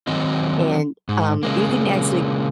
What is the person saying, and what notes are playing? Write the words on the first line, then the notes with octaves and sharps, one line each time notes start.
and, um, you can actually
D#3 F#3 C4 D#5
G#2
C#3 G#3 A#3